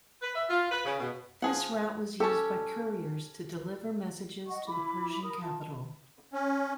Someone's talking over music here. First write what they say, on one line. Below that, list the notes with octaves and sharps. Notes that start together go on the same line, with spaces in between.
This route was used by couriers to deliver messages to the Persian capital.
B4
E5
F4
B4
C#3
B2
F3 G#4 F#5
C#4 G4 A4 A5
D#5 F#5 C#6
E4 B5 D6
A#4 B5 D#6
F4 A5
C#4